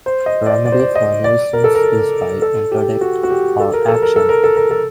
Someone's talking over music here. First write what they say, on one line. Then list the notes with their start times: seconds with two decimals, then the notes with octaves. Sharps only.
The remedy for nuisance is by interdict, or action.
0.06 C5
0.26 D#5
0.46 D5
0.66 D5
0.72 C5
0.80 D5
0.95 D#5
1.24 D5
1.53 A#4
1.64 A4
1.75 A#4
2.42 A4
2.72 G4
3.01 F#4
3.23 F#4
3.30 G4
3.60 A4
3.73 A#4
3.88 A4
4.02 A#4
4.16 A4
4.29 A#4
4.44 A4
4.57 A#4
4.71 A4